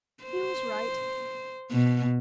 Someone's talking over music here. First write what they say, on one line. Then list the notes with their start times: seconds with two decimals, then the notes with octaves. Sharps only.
He was right.
0.24 C5
1.71 B2